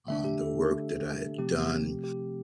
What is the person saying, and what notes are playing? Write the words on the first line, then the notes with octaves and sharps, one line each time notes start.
uh, the work that I had done.
D3 A3 D4 E5
G4
A4
C3 F3 A3 C4 G4
G4